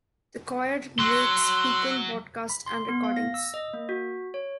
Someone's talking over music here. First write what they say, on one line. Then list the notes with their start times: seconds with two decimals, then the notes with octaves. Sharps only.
The Choir makes frequent broadcasts and recordings.
0.99 F#3 C6 E6 F#6
2.50 B5
2.66 C6
2.89 B3
3.04 F5
3.16 A#6
3.34 E6
3.54 D#5
3.73 A#3
3.89 F#4
4.34 C#5